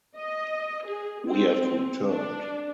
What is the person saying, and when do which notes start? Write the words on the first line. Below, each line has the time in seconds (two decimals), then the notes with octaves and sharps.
We have returned.
0.16 D#5
0.86 G#4
1.25 C4
2.09 D4